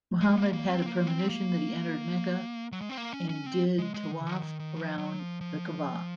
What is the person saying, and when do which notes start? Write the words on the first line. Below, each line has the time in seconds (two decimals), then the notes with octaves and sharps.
Muhammad had a premonition that he entered Mecca and did tawaf around the Ka'bah.
0.20 G#3
0.37 A#3
0.53 A#3
0.70 C4
0.86 A#3
1.07 C4
1.29 A#3
2.72 F#3
2.81 G#3
2.89 C4
2.97 A#3
3.13 C#4
3.29 C#4
3.46 C4
3.79 G#3
3.94 G#3
4.12 D#3
4.21 C#3
4.27 D#3
4.43 D#3
4.60 D#3
4.76 F3
4.98 F#3
5.19 F3
5.41 F3